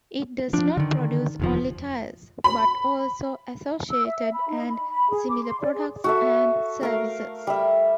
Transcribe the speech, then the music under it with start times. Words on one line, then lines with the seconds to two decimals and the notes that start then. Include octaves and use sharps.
It does not produce only tires, but also associated and similar products and services.
0.53 F3 D4
0.77 D3 D#3
1.40 F1 D#2 F3
2.44 B5
3.91 E6
4.07 E5
4.33 B5
4.49 D#4
4.70 B5
4.90 B5
5.10 G#4
5.29 D6
5.44 C6
5.61 D5
5.73 G#4
6.04 F#4 A4 E5
6.81 A3 A#4 F5
7.47 G3 E5